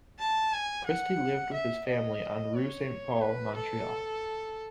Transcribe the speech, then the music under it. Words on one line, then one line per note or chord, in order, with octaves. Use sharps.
Christie lived with his family on Rue Saint-Paul, Montreal.
A5
G#5
F#5
E5
D#5
C#5
B4
A4